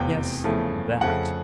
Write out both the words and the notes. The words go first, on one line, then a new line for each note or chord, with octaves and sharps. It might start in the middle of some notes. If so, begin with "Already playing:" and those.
Yes, that.
Already playing: F1 E2 C3 E3 G5
E2 C#3 F3 A3
F2 C#3 F3 A3 F#5